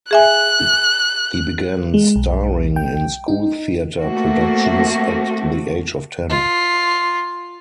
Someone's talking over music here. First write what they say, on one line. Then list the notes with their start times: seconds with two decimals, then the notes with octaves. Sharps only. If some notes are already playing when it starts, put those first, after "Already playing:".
He began starring in school theatre productions at the age of ten.
0.11 G#4 E5 G#5 F#6
1.94 G#3
2.16 B1
2.76 G5
3.28 D#4
4.01 A3 A#3 C4 F#4
6.29 F4